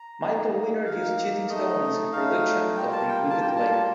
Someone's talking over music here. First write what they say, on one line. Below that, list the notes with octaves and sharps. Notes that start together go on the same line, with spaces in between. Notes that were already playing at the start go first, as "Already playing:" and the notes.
Michael Winner used Chiddingstone in his production of 'The Wicked Lady'.
Already playing: A#5
A#3 D#4
A#3 D#4 F5
A3 D#4 D#5
A3 D#4 F5
G3 A#3 F4 G5
A5
G5
A5
G3 A#3 F4 G5
A5
A5